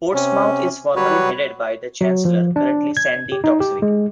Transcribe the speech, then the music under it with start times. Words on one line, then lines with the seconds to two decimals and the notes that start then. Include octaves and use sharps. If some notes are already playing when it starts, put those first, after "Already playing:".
Portsmouth is formally headed by the Chancellor, currently Sandi Toksvig.
0.14 C3 C#4
0.96 F#3 G3 F#4 B4 C#5
2.01 F#3
2.25 F3
2.56 D4
2.97 G#6
3.32 G4
3.44 D#4
3.60 G4
3.82 G#3